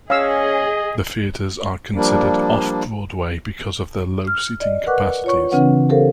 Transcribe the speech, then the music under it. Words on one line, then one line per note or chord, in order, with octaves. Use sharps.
The theaters are considered Off-Broadway because of their low seating capacities.
C#4 G#4 D#5 F5 E6
F3 G3 A#3 D4
F6
D5 D#5
A#4 B4 F#5 C#6 D6 F#6
F4 C#5 C#6
C#3 E3 C4 D4 B4 F#5
G4 A4 A#4 C5 F5